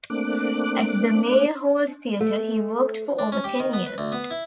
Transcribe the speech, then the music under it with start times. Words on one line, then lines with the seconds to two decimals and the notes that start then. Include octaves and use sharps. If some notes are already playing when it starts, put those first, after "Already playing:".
At the Meyerhold Theatre he worked for over ten years.
0.10 A3 A#3 C4 D4 D6 F#6
2.20 A3
3.19 D4
3.32 C#4
3.44 G4
3.60 D#3
3.73 B3
3.86 B4
3.98 D2
4.12 B3
4.31 E4